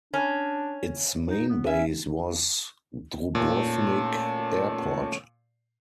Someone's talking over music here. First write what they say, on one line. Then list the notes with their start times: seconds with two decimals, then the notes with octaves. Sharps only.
Its main base was Dubrovnik Airport.
0.14 C#4 D4
1.28 D#4
1.49 B3
1.67 C#4 E5
3.35 A#2 A3 C#4 C#5 A5